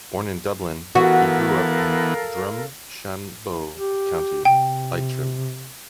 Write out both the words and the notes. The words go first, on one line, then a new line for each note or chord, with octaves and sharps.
Born in Dublin, he grew up in Drumshanbo, County Leitrim.
E3 B3 F#4 A4 A#4 F5
G4
C3 G5